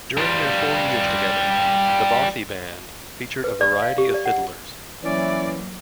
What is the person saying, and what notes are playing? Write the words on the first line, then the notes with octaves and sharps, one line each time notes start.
During their four years together, the Bothy Band featured a variety of fiddlers.
G3 F4
B4
D5
F5
G4
D5
F#5
E3 F#3 A#3 C#4 D5